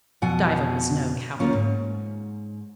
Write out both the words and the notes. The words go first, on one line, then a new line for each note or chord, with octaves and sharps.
Diva was no coward.
F2 B2 F#5 G#5
D2 A#3 C#4 F4
G#2